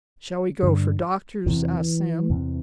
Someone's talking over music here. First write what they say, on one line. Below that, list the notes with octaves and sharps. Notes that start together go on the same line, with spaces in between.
"Shall we go for doctors?" asked Sam.
G2 D3
E2 C3 E3
E2 C3